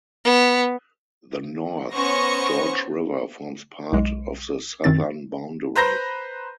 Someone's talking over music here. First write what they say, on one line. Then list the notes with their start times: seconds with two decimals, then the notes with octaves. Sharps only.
The North George River forms part of the southern boundary.
0.25 B3
1.93 B3 C#4 C5 C#6 A#6 C#7
3.93 B1 G#3
4.84 F#2 D#3 C4 A6
5.76 B4 C5 A#5 B5 G6 A#6